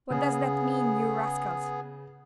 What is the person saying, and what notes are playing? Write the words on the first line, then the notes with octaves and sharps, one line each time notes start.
What does that mean, you rascals?
C#3 B3 G#4